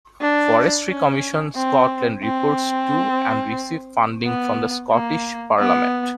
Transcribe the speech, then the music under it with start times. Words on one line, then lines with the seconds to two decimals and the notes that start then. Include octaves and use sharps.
Forestry Commission Scotland reports to, and receives funding from, the Scottish Parliament.
0.21 D4
0.88 C#4
1.56 C4
2.23 C4
4.24 B3
4.91 A#3
5.59 B3